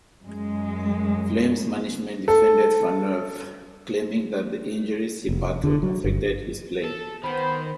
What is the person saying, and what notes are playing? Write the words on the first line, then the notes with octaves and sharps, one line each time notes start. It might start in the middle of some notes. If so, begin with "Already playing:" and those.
Flames management defended Phaneuf, claiming that the injuries he battled affected his play.
F#2 G#3
A4
F1
D3
F#3
G1
A4
D#3 B3 C5 B5